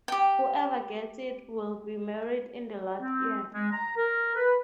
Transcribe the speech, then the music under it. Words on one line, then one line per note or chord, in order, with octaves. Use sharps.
Whoever gets it will be married in the last year.
G4 G5
C4
G#3
A#5
A#4
B4